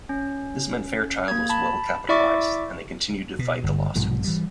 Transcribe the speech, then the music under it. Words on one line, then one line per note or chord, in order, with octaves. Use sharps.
This meant Fairchild was well capitalized and they continued to fight the lawsuits.
C#4
A#3 G#6
A5 B5
E4 D5 E5 C#6 D6
B2
G1
B1 G#2 C3 F3
E3 G3